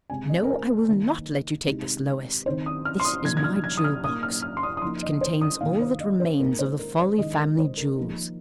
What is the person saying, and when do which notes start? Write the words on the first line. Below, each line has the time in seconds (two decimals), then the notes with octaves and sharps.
No, I will not let you take this, Lois; this is my jewel-box--it contains all that remains of the Fawley family jewels.
0.10 C3 G#3 C4 G#5
0.29 D#5
0.43 A#4
0.49 C5
0.88 D#3 A#3 D#4
1.67 C3 G#3 C4 D#4
2.46 D#3 C4 D#4 C5
2.66 D#6
2.85 F6
3.00 C6
3.05 D#6
3.24 C3 F3 A#3 D#4 G#6
3.37 G#6
3.44 F6
3.64 G#6
3.77 D#6
3.84 F6
4.04 A#2 A#3 D#4 D#6
4.23 F6
4.42 F6
4.57 C6
4.63 D#6
4.77 D#6
4.82 F3 A#3 D#4 C6
5.03 D#5
5.21 C5
5.41 D#6
5.61 C3 D#3 A#3 D#4 F5
5.81 C5
6.00 D#5
6.20 C5
6.40 A#2 G#3 D#4 A#4
6.59 C5
6.79 A#4
7.00 C5
7.18 D#3 G#3 D#4 D#5
7.38 A#4
7.59 C5
7.77 A#4
7.97 F3 A#3 D#4